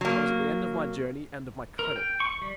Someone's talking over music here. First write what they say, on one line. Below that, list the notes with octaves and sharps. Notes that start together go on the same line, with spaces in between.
I was at the end of my journey and of my credit.
F#3 A#3
A#4
G5
C#6
G3